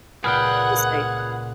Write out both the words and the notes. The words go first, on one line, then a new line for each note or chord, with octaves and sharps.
we'll see.
C#2 A#2 G#4 B4 D5 F#5 G5 F6